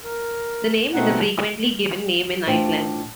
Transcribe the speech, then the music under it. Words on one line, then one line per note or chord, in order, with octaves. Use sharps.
The name is a frequently given name in Iceland.
A#4
B2 A3 C4 D#4 F#5
A2 D4 F4 C5 G5 A5